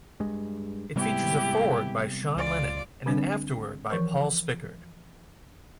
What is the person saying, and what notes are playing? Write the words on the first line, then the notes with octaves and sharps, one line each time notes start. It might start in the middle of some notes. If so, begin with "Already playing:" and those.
It features a foreword by Sean Lennon and an afterword by Paul Spickard.
G2 G#3
G#2 C3 G3 B3 E4 G4
C#2 F4 D5
D3 G3 C4 D4
E3 F3 A#4 C5